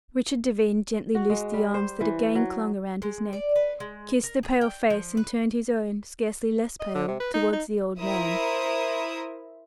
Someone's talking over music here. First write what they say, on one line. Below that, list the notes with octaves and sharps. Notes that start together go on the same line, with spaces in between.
Richard Devine gently loosed the arms that again clung around his neck, kissed the pale face, and turned his own--scarcely less pale--towards the old man.
F#4
G#3
G3
C5
E3
F#3
G#3
D5
B4
G#3
A#4
G#4
G5
F3
B4
D#5
D3
C3
B4
D#4
D#4
E4 A#4 C5 E5 A#5 D#6